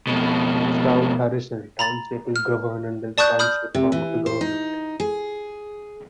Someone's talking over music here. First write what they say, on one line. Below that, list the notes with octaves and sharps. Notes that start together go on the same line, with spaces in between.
South Harrison Township is governed under the Township form of government.
F2 B2
A#5 B5 A6
F6
D5 A5 C#6 D#6 F#6 G6
B5 D#6 F6 G6
C3
E3
C5
D#4
G#4